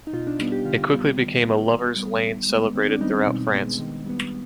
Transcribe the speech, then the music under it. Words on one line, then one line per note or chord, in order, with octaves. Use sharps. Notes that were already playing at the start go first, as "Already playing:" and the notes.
It quickly became a lover's lane celebrated throughout France.
D#4
B2 F4
D4
G3 B3
G4
D3 F4
G3 B3
D#3
B3
D#3
G3 B3
D#3
G#3 B3
D#3 C4
D4
G3 B3 D#4
C4
B2
G#3 B3
D#3
G3 B3